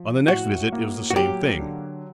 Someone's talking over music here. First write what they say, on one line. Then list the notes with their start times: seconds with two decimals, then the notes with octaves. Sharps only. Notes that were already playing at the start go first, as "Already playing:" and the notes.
On the next visit it was the same thing.
Already playing: F3
0.28 A2 F#4
0.72 A#3
1.10 F#4
1.16 F#3 G4
1.60 D3